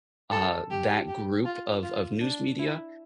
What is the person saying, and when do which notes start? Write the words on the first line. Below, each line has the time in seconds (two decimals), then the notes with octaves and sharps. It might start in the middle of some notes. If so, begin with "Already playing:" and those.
uh, that group of of news media,
0.32 A4
0.71 G4
1.08 G4
1.45 F4
1.83 F4
2.21 D4
2.59 E4